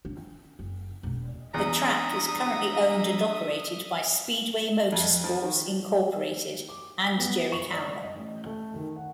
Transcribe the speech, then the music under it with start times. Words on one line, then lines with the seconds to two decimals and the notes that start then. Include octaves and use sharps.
The track is currently owned and operated by Speedway Motorsports, Incorporated and Jerry Carroll.
0.05 D4
0.59 F#1
1.03 E1 A#3
1.54 E2 D4 E5 A#5 D#6
4.92 F2
5.24 F3
5.43 D#3
6.69 D6
7.18 B3
7.52 C#6
7.73 D5
8.03 D#5
8.15 A1
8.46 A3
8.76 D#3
8.96 F#5